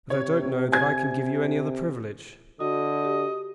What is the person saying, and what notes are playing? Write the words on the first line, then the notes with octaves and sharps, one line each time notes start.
"But I don't know that I can give you any other privilege."
C3 C#5
G#5 G#6
D3 F#4 D#5
G4